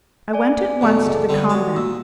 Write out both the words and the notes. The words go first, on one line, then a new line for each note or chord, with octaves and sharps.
I went at once to the convent.
D5 G#5
E2 B2 F#3 A4
C#2 F#2
D3 G3 C4 G4 D5
F#4 C#5 A5
A#2 E6